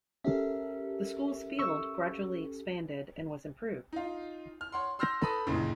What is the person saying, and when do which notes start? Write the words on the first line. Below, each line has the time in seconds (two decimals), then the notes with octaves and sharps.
The school's field gradually expanded and was improved.
0.25 C#4 G4 A4 A#4 E5
1.59 C#6 E6
3.93 D#4 F4
4.61 F6
4.72 C#5 F#5 C6
4.99 C6 E6 F6 G6 A#6
5.21 A4 B4 B5 D#6
5.46 G1 C#2 F#2 A#2 C#3 E3